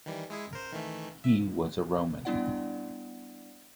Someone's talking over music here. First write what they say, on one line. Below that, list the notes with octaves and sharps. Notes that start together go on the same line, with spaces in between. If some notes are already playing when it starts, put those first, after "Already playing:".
He was a Roman.
D#3 E3 G3
G#3 E4 G#4
A#4 C5
D#3 E3 A3
E5
G3 B3 D4 E4 D5 F#5